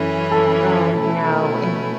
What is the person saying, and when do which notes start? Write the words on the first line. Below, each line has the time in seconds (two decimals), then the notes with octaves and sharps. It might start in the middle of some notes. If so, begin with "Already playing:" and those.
Oh, no, and
Already playing: F#2 E3 C#4 E4 A4
0.31 A4 A5
1.00 B2 A3 C#4 E4